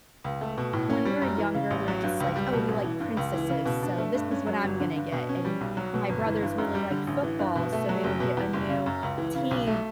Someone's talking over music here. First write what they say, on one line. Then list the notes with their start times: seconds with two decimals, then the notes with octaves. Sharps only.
When we were younger, we're just like, "Oh, we like princesses, so this is what I'm gonna get," and my brothers really liked football, so they would get a new team
0.24 C#2
0.41 A3
0.58 B2
0.73 A2
0.90 C#4
1.05 G3
1.22 F#2
1.38 E3
1.54 C#3
1.70 A1
1.88 F#3
2.03 G2
2.20 C#2
2.36 G3
2.53 B2
2.68 A1
2.84 E3
3.00 G2
3.17 C#2
3.34 E3
3.49 C#3
3.66 B2
3.83 D4
3.98 A3
4.15 G2
4.31 C#4
4.47 F#3
4.63 G1
4.80 D3
4.96 G2
5.12 B2
5.29 C#4
5.45 G3
5.61 B1
5.77 F#3
5.94 B2
6.09 G1
6.26 E3
6.43 G2
6.58 F#2
6.75 G3
6.91 D3
7.07 A1
7.23 E3
7.39 G2
7.56 B2
7.73 A3
7.89 F#3
8.04 F#1
8.20 B2
8.37 E2
8.53 F#1
8.69 C#3
8.86 F#2
9.03 C#2
9.18 E3
9.35 C#3
9.51 B1
9.67 A3